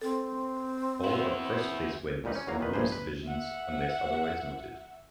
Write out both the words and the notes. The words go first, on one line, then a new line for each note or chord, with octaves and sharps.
All are first-place wins, in women's divisions, unless otherwise noted.
C4 A4
B3 E4 F5
A1 A#2 G3 D#4 B4
C#4
E2 F#3 A#3 F5 A#5
A#2 D#3 B4
A#1 G2 A#3 G#4 B4 C5
B4
E5 F#5